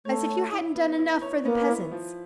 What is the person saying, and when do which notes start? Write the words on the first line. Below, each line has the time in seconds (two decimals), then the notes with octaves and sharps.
As if you hadn't done enough for the peasants!
0.05 A3 C#5
0.29 C#5
0.52 E4
0.75 B3
0.98 E4
1.21 C#5
1.45 A#3 B3
1.68 E4
1.92 F3